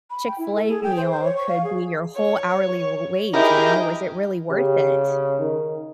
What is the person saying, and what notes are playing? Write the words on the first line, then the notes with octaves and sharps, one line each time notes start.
Chick-fil-A meal could be your whole hourly r wage, you know? Was it really worth it?
B5
G5
E4
A4
G#4
G5
C5
C5
C#5
C#6
F5
G#4
C#5
D#4 E4 G4 G#4 A#4
C#3 G4
D#3